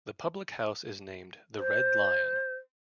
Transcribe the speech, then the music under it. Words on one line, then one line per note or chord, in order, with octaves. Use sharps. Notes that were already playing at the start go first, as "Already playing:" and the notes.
The public house is named 'The Red Lion'.
C5